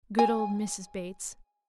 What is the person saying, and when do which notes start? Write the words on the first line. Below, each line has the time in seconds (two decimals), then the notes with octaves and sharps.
Good old Mrs. Bates.
0.19 G#5